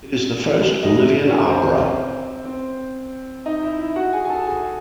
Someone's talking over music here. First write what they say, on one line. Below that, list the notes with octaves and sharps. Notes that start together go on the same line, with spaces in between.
It is the first Bolivian opera.
D#5
E4 E5
E4 E5
C#4 C#5
C4 C5
C4 C5
D#4 D#5
E4 E5
E4 E5
F#4 F#5
G#4 G#5
G#5
A4 A5
G#4 G#5